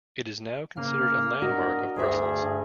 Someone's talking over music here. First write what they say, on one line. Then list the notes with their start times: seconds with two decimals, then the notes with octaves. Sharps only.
It is now considered a landmark of Brussels.
0.77 C#3 A#3 F6
1.42 D4 F#4 A#4 D#5
1.96 D2 G2 G#4 E5